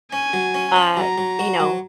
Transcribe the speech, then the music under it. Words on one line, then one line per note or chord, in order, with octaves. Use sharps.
uh, you know
C#4 G#5
F#3
C#4
C#4
F#3 A#5
F#3
F#4
F#3